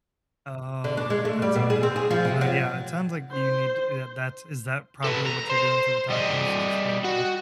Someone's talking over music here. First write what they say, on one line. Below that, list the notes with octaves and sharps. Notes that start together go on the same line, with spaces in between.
Oh, that sounds really good. So, yeah, it sounds like you need, t eh, that that is that probably what you're doing for the tacos is a slow roast?
D3
D4
G#3
A3
G3
B2
G#4
C4
G#4
F3
C3
F#3
C5
A4 B4
A#5
C5
G3 D#5
F#4